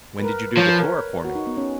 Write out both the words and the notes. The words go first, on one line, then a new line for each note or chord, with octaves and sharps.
"When did you do the chloroforming?"
B4
A#4
F3 C#5
B4
A#4
F#4
D#4
B3
C#4